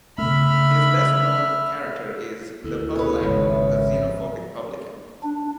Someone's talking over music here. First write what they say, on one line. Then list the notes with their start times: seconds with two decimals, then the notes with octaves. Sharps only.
His best-known character is "The Pub Landlord", a xenophobic publican.
0.18 C#3 A3 E5 B5 F6
2.64 D2 E4 A4
2.96 C#4 G#4 B4
3.21 G#1 C#2 D3 C#5
3.48 C#5 E5
3.94 F3
5.23 D4